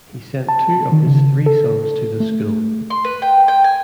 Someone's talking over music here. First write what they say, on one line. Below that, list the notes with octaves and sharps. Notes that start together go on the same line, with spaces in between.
He sent two of his three sons to the school.
A5
D#3
C#3
A4
A3
C6
B4
G5
G5
G#5